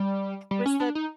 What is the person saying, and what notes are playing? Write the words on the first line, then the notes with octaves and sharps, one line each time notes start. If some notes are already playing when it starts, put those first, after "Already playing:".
Was that
Already playing: G3
G3
C#4
D4
D#4